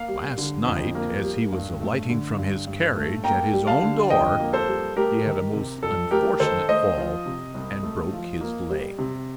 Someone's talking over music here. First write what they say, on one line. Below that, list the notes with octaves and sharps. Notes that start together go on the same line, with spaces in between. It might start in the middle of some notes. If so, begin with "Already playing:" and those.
"Last night, as he was alighting from his carriage, at his own door, he had a most unfortunate fall, and broke his leg."
Already playing: A#3 F5
G3
D3
F2
A#3
G3
G2
A3
D3
G2
G2
A3
A#3 G5 A#5
G3
F5 A5
D3
F2 D#5 G5
A#3
A4 C5
G3
A3 G4 A#4
D#3
C3
F2 A4
A3 G4 A#4
D#3 A4 C5
A3 C5 D#5
F3
C3
C2
A3
F3
A#3
G3
C3